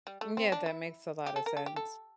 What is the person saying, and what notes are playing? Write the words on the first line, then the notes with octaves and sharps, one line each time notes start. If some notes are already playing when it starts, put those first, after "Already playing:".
M yeah, that makes a lotta sense.
G3
A3
C4
D4
E4
G4
A4
A#4
A4
G4
A4